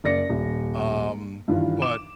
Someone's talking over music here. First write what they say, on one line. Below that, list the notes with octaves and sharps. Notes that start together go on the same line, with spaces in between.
um, but
F#1 D5 A#6 C#7
D#1
G2 D#3 E3 F4
D6 E7